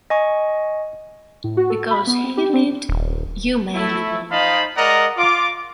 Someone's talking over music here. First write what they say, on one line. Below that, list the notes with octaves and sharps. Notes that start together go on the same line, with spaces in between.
Because he lived you may live longer.
D#5 G#5 C#6
A2
F#4
A4
B5
B3
C4
G4
C4
D#1
A3 E4
D#4 C5 D#5 F5 A5 B5
G#3 A#4 D5 D#5 F#5 A#5
F4 D6